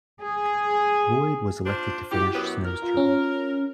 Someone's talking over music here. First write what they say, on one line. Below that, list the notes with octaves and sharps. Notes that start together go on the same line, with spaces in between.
Loyd was elected to finish Snow's term.
G#4
D4 F4 C5
E4 F#4 G4
F#2 B3
A#4
F4
C#4